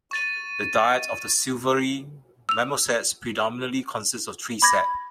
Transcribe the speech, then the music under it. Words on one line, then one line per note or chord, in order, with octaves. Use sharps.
The diet of the silvery marmosets predominantly consists of tree sap.
C#6 A6 D#7
E6 F7
B5 D6 G#6 A#6